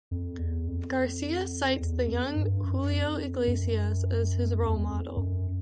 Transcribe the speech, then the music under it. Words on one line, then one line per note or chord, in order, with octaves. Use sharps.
Garcia cites the young Julio Iglesias as his role model.
F2
E2
F2
E2
F2
G2
F#2
F2
F#2
E2
F2
F#2